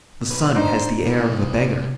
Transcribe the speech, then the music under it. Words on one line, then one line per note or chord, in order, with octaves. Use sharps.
The sun has the air of a beggar.
B1 B4
D4 D#4 C5 D#5
C3 E4
A2 C3